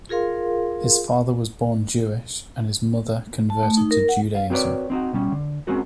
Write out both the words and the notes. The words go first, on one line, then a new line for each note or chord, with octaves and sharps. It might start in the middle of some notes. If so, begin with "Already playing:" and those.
His father was born Jewish and his mother converted to Judaism.
F4 G#4 A#4 F5 C6
A5
A3
D#4
A#4
F#5
F5
C4 F#4 A#4 B4 C#5 D5
C4 D#4 F#4
B2 G3 C#4
D3
G#3 C4 C#4 F#4 A#4